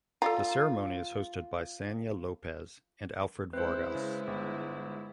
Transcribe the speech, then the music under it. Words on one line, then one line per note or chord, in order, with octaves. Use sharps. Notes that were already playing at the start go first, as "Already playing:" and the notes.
The ceremony is hosted by Sanya Lopez and Alfred Vargas.
F4 A4 D5 A#5
G#3 C4 E4 B4 C5
C#3
G1